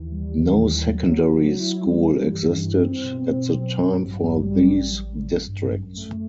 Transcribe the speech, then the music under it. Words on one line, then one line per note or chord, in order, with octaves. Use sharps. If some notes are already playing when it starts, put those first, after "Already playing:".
No secondary school existed at the time for these districts.
Already playing: D#2 E3
G3
D#3
D#2
F#3
F#3
F#3
E4
G3
E3
G2
E3
C4
B2
C4
F#3
G2
A1
G3
G3
A1
A1
A1
G2
F#2
A3